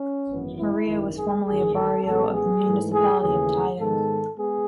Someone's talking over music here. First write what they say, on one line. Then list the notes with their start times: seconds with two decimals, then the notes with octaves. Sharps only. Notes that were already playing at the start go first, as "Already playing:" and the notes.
Maria was formerly a barrio of the municipality of Tayug.
Already playing: C#4
0.29 G#1 F#2 E3 B3
0.58 E4
0.87 G#1 F#2 D#3
1.16 G#4
1.45 A1 G#2 D#3 G#4
1.74 A4
2.03 A1 A2 G#3 B3 A4
2.32 G#4
2.62 G#2 E3 A3
2.91 G#4
3.20 D#2 C#3 E3 A3 G#4
3.78 G#2 D#3 G#3 B3 A4
4.37 G#3 B3 G#4